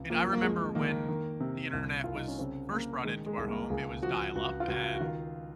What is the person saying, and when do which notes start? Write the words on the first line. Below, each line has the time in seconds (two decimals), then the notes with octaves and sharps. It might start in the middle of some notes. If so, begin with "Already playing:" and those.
And I remember when the Internet was first brought into our home, it was dial-up, and,
Already playing: C#2 C3
0.10 F3 A#3
0.33 A#3
0.42 F2 G#3
0.75 D#3 A#3
1.08 D#3
1.40 C3
1.73 C2
2.04 C2 F4
2.15 D#4
2.28 C#4
2.38 C#3 C4
2.71 C#3 A#3
3.04 D#3 G#3
3.26 G#3
3.37 C2 G#3
3.48 A#3
3.70 C#2 G#4
4.03 F3 F#4
4.35 C#2 F#4
4.60 F4
4.68 C#2 F#4
4.94 F#4
5.00 D#3 F4